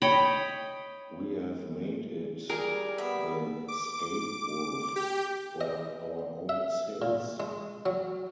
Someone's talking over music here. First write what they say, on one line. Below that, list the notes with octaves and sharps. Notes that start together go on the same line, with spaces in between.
We have made it the scapewolf for our own sins.
C#5 D#5 G5 B5
G3 G#4 A#4 G#5
B3 E5
D6
G4
D#5
E5
A#2
G#3
F#3